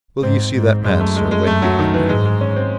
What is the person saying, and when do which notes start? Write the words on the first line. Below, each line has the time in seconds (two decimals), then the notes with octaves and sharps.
"Will you see that man, sir, waiting behind me?"
0.23 G#2 C4
0.54 G#2
0.84 F#2 G#3
1.00 A3
1.16 G#3
1.31 G#3
1.47 F#2 A3
1.62 F#3
1.79 D#3
1.94 E3
2.09 G#2 G#3
2.25 G#3
2.41 C#4
2.56 C4